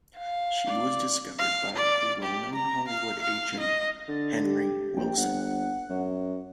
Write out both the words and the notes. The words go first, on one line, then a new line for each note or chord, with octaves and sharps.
She was discovered by the well-known Hollywood agent Henry Willson.
F5
D5
F5
D5
G4
A#5
F5
F5
D#5
D3 A6
G4
A#1 G5
G1 F#5
F#2